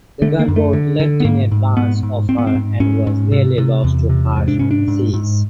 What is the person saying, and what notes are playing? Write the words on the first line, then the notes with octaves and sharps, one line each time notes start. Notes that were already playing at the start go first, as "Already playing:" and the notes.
The gunboat left in advance of her and was nearly lost to harsh seas.
D3 A3
A#3
F#2
A3
D3
D3
B3
G#2 A#3
G#2
G#2 B3
G#2
G#2 C4
B3
C4
G#2
G#2 C#4
G#2
C3
C3
E2
C3
G#2
D4
G#2 C#4
D4
G#2
G#2